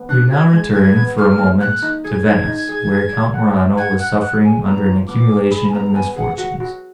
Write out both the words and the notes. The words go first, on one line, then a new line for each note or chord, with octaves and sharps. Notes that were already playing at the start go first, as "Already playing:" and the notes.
We now return, for a moment, to Venice, where Count Morano was suffering under an accumulation of misfortunes.
Already playing: B3
D4 F#6
F#4 G#6
G#3
G#3 G#6
B3
G#4 F6
A#3
A#3 F#6
D#4
G#4 G#6
D#4
D#4
G#4
G#4
D5
F#5
D5
F#5 G#6
F#5 F#6
F#5 F#6
G#4 G#5
B3 A#5
F4
B3 D6
G#4
G#4 B5
G#5
B3 A#5
B3 G#5
G#4 F#5
F#4 F#5
F#4